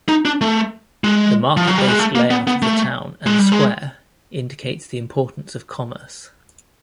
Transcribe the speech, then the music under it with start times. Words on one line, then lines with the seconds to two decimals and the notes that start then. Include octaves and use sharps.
The market based layout of the town and square indicates the importance of commerce.
0.09 D#4
0.25 D4
0.41 A3
1.04 G#3
1.57 F3
1.67 F#3
1.78 G3
1.88 G#3
1.99 A3
2.15 A#3
2.30 B3
2.47 B3
2.62 A3
3.26 G#3
3.39 G3
3.52 G#3